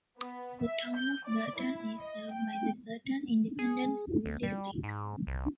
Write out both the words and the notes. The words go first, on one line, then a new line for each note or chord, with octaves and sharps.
The Town of Burton is served by the Burton Independent School District.
B3
E5
G6
D5
E4
D#5
G5
G#4
D2
G3
G#2
C2